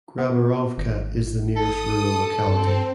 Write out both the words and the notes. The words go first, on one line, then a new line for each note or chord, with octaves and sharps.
Graborovka is the nearest rural locality.
B3
G#1
A4 D#6
G2 C4